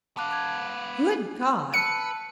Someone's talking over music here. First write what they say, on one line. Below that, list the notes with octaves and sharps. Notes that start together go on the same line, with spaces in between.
"Good God!"
B3 F5 A5 D6 F#6
D6 F#6 G#6
B4 A5 E6 F#6 C#7